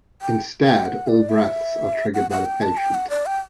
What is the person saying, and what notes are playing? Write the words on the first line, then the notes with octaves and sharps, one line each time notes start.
Instead, all breaths are triggered by the patient.
G5
G5
F#5
D5
E5
F#5
F#5
G5
A5
G5
F#5
D5
G5